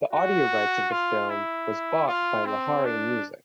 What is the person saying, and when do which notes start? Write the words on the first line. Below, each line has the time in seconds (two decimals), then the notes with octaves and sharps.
The audio rights of the film was bought by Lahari Music.
0.13 F#4
0.91 F4
1.29 E4
2.07 F4
2.45 C4
2.84 D4